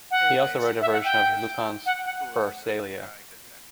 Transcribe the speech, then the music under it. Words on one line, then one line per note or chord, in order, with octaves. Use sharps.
He also wrote a version of Lucan's Pharsalia.
F#5
E5
F#5
G5
F#5
F#5